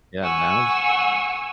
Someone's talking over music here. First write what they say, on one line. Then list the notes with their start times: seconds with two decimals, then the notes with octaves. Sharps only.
Yeah, and now
0.22 F#5 G#5 C#6 E6